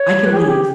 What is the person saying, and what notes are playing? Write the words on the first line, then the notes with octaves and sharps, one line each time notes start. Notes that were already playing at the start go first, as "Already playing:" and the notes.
"I can leave."
Already playing: C#5
B4
G4
G#4
G4